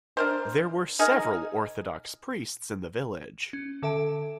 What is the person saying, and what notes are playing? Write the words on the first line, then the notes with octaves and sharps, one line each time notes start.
There were several Orthodox priests in the village.
D4 A#4 C5
D#4 G#4 A#4
C#4
D3 A4 E5 A5 D7